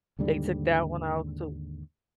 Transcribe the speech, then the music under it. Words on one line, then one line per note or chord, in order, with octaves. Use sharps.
They took that one off too.
D#2 G#2 D3 G3